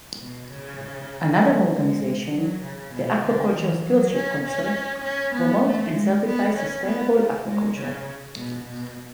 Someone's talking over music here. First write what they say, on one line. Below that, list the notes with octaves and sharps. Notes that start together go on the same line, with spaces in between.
Another organisation, the Aquaculture Stewardship Council, promote and certifies sustainable aquaculture.
B2
C#3
F#3
G#3
F#3
C#3
B2
D3
E3
F#3
C#4
C#4
C#4
B3
A3
G#3
B3
C#4
B3
A3
G#3
C#3
B2
B2